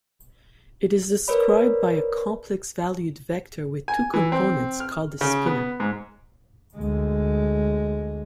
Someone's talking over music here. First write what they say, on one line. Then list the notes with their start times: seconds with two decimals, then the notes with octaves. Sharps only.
It is described by a complex-valued vector with two components called a spinor.
1.28 A#4 B4 C#5 D5 B5
3.88 G#5
4.14 E3
4.32 C4
4.80 F6
5.21 C#3
5.46 B3
5.80 G#2
6.76 D2 G#3